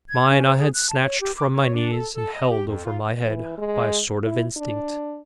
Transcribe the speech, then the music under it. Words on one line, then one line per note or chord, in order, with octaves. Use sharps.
Mine I had snatched from my knees and held over my head, by a sort of instinct.
G#6
C#4
C5
G#4
F#6
A5
C#5
G4
D6
C#5
D4
A4
A4
D#5
G4
F2
F4
E3
G#3
E4
D4